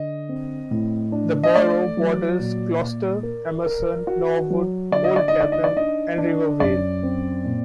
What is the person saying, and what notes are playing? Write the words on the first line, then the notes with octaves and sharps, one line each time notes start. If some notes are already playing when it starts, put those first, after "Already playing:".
The borough borders Closter, Emerson, Norwood, Old Tappan and River Vale.
Already playing: D3 D#5
C4
A2
D4
D#5
A3 D5
F#3
A#2
A#2
A#4
A#4
F#4
F#3
D3 D5
D#5
D5
D#5
D#4
D5
D#5
D5
D4 D#5
D4
F#2 D5
C4
A#2